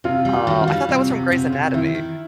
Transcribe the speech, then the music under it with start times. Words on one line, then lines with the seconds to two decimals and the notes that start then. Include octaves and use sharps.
Oh, I thought that was from Grey's Anatomy.
0.04 C3 F4
0.25 G3
0.33 F#4
0.47 D#3
0.61 F4
0.67 G3
0.89 C3
1.10 C3
1.31 C3
1.53 C3
1.74 D#3 E4
1.95 D#3